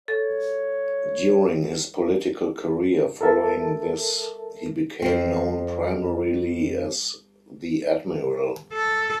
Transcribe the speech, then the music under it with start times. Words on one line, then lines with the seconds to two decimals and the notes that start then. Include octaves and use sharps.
During his political career following this he became known primarily as "the Admiral".
0.08 A4 C#5
3.21 A4 A#4 E5 A5
5.02 F2 C4
8.73 A4